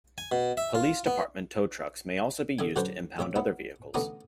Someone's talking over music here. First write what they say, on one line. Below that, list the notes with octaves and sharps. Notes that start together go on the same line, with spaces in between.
Police department tow trucks may also be used to impound other vehicles.
G#5
B2
E5
F4
B3
D3 D#5 E5 G#5
D3 F#3 C#4 D4 B4 C5
A1 C#5 E5 D6
B3 D#4 E4
A1 D3 B3 D4 A#5 D#6